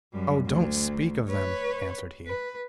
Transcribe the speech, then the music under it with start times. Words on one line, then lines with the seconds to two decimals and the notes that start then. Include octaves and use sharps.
'Oh! don't speak of them,' answered he.
0.13 F#2 G3
0.46 D2
1.29 B4 C#5
2.27 B4